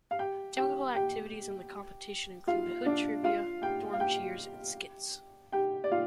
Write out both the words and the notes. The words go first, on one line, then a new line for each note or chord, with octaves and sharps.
Typical activities in the competition include Hood trivia, dorm cheers and skits.
F5
G4 G5
G4 G5
G4 G5
F4 F5
D4 D5
F4 F5
G4 G5
F5
G4 G5
G4 G5
D5
F4 F5